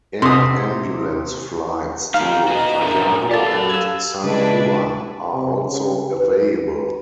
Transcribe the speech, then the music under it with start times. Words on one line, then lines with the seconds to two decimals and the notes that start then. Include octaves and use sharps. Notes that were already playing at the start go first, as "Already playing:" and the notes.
Air ambulance flights to Fajardo and San Juan are also available.
0.22 C3 C6 D#6
2.14 D#4 G4 F5 A#5
2.48 F#4 B4 D#5
2.82 D4 A#4 E5
3.31 G4 A4 D5 F5 A5
3.70 E6 G#6
4.24 C#3 G#3 D4 E4 B4
5.33 C3
5.63 C#3
6.18 B4